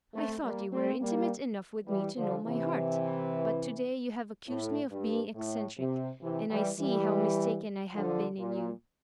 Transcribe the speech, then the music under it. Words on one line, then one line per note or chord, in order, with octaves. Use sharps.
I thought you were intimate enough with me to know my heart; but to-day you have accused me of being eccentric, and I see how mistaken I have been in you.
A3 C4
G3 A#3
A3 C4
G3 A#3
E3 G3
D3 F3
C3 E3
A2
G2
A2
C3
C3 E3
E3 G3
E3 G3
D3 F3
A#2